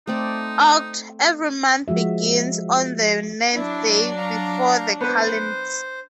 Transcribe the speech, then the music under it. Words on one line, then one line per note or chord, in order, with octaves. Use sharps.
Oct. Every month begins on the ninth day before the kalends.
A3 C4 D#4 D5
F3 G#3 F#4 E5
F#3 D4 E4
F5 A#5
B3 B4 C5